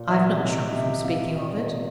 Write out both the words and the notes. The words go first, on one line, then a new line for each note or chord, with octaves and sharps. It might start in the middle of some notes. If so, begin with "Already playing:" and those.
"I've not shrunk from speaking of it."
Already playing: A#2
E3 E5
D#5
C3
D#5
C3 E5
E5
C3 F5
A#2 D#5
C#5
A#2